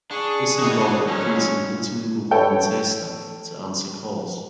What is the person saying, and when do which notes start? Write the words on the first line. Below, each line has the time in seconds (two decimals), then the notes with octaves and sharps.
This involved recruiting multilingual volunteer staff to answer calls.
0.11 D4 G#4 C#6
0.59 D#3 E3 D4 F#4 D#5
1.07 F#3 G#3 C#4
2.31 A4 C#5 G5